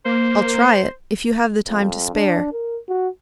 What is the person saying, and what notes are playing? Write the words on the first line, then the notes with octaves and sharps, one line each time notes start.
"I'll try it, if you have the time to spare."
A#3 C5
F2
D4
A#4
F#4